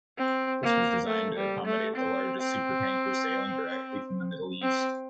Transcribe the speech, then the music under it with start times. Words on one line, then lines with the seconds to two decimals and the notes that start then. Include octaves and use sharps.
This was designed to accommodate the largest supertankers sailing directly from the Middle East.
0.18 C4
0.63 A#3
1.07 A3
1.37 G3
1.66 A3
1.96 C4
2.40 C4
4.62 C4